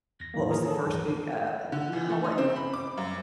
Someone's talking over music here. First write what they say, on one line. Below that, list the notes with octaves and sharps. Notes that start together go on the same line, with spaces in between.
what was the first big, uh no, it wasn't
E2 A#6
A2 D#3 F#3 A#3
G#4 A#4 B4 C#5 A#5 D#6
G#4 A4 A5
C#2 G2 D#3 E3 F#3
D3
E3
A3
D#4
C4
B5
D6
F#2